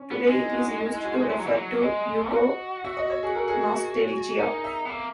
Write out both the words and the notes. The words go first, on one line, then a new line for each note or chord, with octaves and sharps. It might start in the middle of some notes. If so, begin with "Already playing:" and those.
Today it is used to refer to Yugo-nostalgia.
Already playing: C#4
B3
G#3 D#4
E4
F#4
D#4
D#4
E4
F#4
G#4
G#3 C#5
F#3
E3
F#3
G#3 D#5
F#4
F#4 E5
D#5
C#5
G#4
A#4
G#4
D#4 A#4
E5
B3
A#3 E5